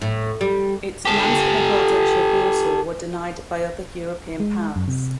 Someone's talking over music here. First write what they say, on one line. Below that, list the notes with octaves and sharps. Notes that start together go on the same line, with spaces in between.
Its demands for the whole Duchy of Warsaw were denied by other European powers.
A2
G3
G4 A4
G#3
F#2
C3